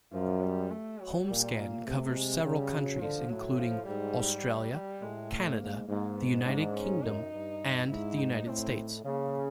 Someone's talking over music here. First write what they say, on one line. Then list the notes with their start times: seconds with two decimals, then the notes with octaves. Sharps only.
Homescan covers several countries including Australia, Canada, the United Kingdom, and the United States.
0.13 F#2 F3
0.42 G3
0.70 A3
0.99 F#3
1.28 A#2 G3
1.57 A#3
1.85 C3 A3
2.14 G#3
2.43 C#3 G3
2.71 F#3
3.00 D3 F3
3.29 A2 F#3
3.58 F3
3.87 G#2 G3
4.73 G3
5.02 A2 G#3
5.30 A3
5.60 G#2 A#3
5.88 G#2 A#3
6.17 B3
6.45 G#2 D4
6.74 C#4
7.03 F#2 D#4
7.32 G2
7.89 G#2 E4
8.18 D#4
8.46 A2 C4
9.04 C#3 A#3